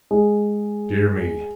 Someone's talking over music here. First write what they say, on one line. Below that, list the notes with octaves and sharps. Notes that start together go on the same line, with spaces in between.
Dear me!
G#3